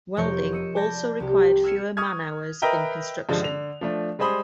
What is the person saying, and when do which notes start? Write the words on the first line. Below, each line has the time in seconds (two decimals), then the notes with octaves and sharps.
Welding also required fewer man-hours in construction.
0.17 F1 F3 A#4 C#5 G6 D7
0.52 D#5 E6 C#7 D#7
0.76 D5 A5 B5 G6 G#6 A#6
1.20 C2 G4
1.64 E6 F6 G#6 B6 C#7 E7
1.97 C#6 D#6 F6 G#6
2.62 A#4 B4 D#5 E5 G5 A#5
3.29 G2 D3 F3 G#3
3.42 D3 F7
3.81 F3 A3 D4
4.19 G3 G#3 G#4 C5 B5 D#6